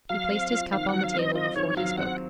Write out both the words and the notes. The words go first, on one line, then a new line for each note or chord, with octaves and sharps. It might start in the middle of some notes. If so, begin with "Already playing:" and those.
He placed his cup on the table before he spoke.
F#3 F5
C4
F4
D#3 F5
F#3 F#5
F5
C4 D#5
F4 D#5
D#3 C#5
F#3 F5
C4 F#5